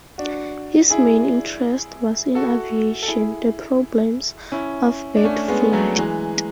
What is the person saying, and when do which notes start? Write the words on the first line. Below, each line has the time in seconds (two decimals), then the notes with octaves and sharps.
His main interest was in aviation, the problems of bird flight.
0.18 D4 F#4
0.90 E4 G#4
2.35 F#4 A4
3.03 A4
3.07 E4 G#4
4.52 C#4 E4
5.17 D4
5.24 A3 C#4
5.48 G#3 B3
5.73 F#3 A3
5.98 E3 G#3